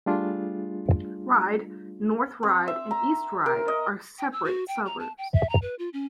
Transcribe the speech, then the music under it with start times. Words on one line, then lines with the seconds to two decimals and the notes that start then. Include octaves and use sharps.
Ryde, North Ryde and East Ryde are separate suburbs.
0.06 G3 A3 D4 F4 G#4
2.43 C4
2.68 E5
2.91 A#5
3.46 A#4
3.68 D#5
4.18 G5
4.33 E6
4.45 F#4
4.68 G5
4.86 A#5
5.00 A5
5.18 G5
5.34 E5
5.49 A#5
5.62 B4
5.79 F4
5.93 C#4